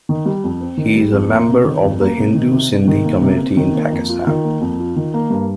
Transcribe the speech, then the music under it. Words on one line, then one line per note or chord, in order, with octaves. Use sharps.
He is a member of the Hindu Sindhi community in Pakistan.
D#3
G3
F2
C4
D#3
G3
F2
A#3
C3
D#3
F2
A#3
C3
D#3
C3
C3
D#3
A#3
C3
C3
D#3
A#3
F2
F4
D#3
A#3
F2
F4
D#3
A#3
G2